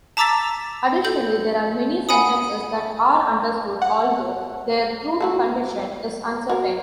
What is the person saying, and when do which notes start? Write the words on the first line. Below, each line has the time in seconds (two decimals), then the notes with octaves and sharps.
Additionally, there are many sentences that are understood although their truth condition is uncertain.
0.17 A5 A#5 D6 E6 A6 B6
1.05 A4 G6
2.09 F#5 G#5 B5 D#6
3.82 F#5
5.20 A3 F#4 A4
6.49 F#4 A#4